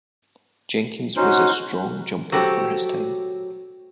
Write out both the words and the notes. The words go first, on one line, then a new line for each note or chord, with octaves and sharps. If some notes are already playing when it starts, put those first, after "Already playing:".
Jenkins was a strong jumper for his time.
C#4 D#4 F#4 C5
F#3 F#4 G4 A4 C5